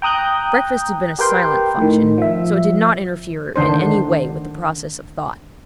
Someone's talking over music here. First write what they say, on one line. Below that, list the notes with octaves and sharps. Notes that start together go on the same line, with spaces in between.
Breakfast had been a silent function, so it did not interfere in any way with the process of thought.
G5 A#5 D#6 F#6 G6
G4 A#4 B4 G5 C6
A2 D#3
F3 E5
D3 D#3 D4 C5